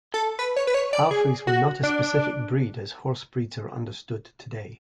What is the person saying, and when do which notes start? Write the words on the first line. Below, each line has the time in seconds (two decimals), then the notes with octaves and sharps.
Palfreys were not a specific breed as horse breeds are understood today.
0.14 A4
0.39 B4
0.56 C#5
0.67 B4
0.74 C#5
0.93 D5
1.11 G#4
1.47 F#4
1.83 D4